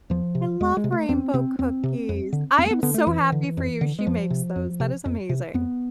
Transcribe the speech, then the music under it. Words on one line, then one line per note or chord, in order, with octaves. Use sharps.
I love rainbow cookies. I am so happy for you she makes those; that is amazing.
E2 F3
C3
E2 G#3
G#3
C3
A3
E2 C4
C3 C4
E2 C4
C3
F2
D3
F2 C4
A3
B3
D3 B3
A3
F2 E3
D3
F2
D3
G#3
F2 F3
C3
F2
C3
F2
C3
F2 B3